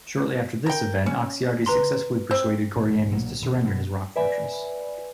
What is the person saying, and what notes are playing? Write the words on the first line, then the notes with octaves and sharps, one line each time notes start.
Shortly after this event, Oxyartes successfully persuaded Chorienes to surrender his rock fortress.
A#4 G5
C#4
B4 A#5 C6
C4
A#1 G#2
B1 A#2 F#3 A#3
D#1 B2
B2 F#3 G3
B4 D5 E5 G#5 B5